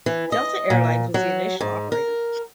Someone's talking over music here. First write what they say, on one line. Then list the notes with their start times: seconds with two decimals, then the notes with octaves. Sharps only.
Delta Air Lines was the initial operator.
0.06 E3
0.32 D#5
0.70 A#2
1.14 F#3
1.61 G#2
1.92 A#4